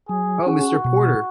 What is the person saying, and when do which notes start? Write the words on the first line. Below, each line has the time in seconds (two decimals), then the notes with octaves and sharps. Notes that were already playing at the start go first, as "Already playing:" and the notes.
Oh, Mr Porter!
0.09 F#3 G#4
0.46 C#4 F#4 G#4
0.85 B2